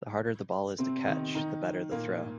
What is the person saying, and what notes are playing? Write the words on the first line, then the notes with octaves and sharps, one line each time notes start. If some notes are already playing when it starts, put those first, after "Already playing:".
The harder the ball is to catch, the better the throw.
C3 C4
D#3 D#4
D#3 D#4
A#2 A#3